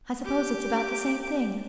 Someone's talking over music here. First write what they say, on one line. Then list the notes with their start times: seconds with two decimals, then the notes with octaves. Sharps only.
I suppose it's about the same thing.
0.24 G4 D6